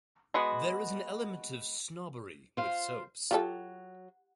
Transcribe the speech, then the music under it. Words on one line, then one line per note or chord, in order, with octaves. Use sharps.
There is an element of snobbery with soaps.
G#3 B3 F#4
F4 C5 F5
F#3 F4 G4 A4